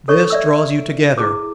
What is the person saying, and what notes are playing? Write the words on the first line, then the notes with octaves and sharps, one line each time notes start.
This draws you together.
A4 C#5 C#6
D5 E5 E6
E4 G#4 D6